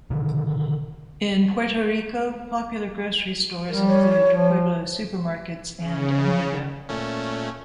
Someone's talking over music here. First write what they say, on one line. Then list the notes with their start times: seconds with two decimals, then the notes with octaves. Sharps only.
In Puerto Rico, popular grocery stores include Pueblo Supermarkets and Amigo.
0.10 B2 D3 D#3
3.69 G3 A#4
3.87 C#5
4.31 F3
5.78 C#3
6.89 A#2 A3 C#4